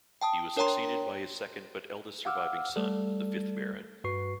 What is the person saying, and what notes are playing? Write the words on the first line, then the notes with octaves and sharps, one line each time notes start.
He was succeeded by his second but eldest surviving son, the fifth Baron.
G5 A5 D#6
D4 A#4 C#5 G5 A#5 C6
F5 F#5 D6 E6 F6
G3 A3 A4 D5
G2 F#4 B4 C#6 C7